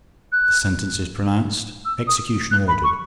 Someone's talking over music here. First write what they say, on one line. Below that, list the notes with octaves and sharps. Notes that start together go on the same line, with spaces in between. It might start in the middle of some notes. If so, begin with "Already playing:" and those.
The sentence is pronounced--execution ordered.
F#6
E6
D#6
F#6
B5
C#6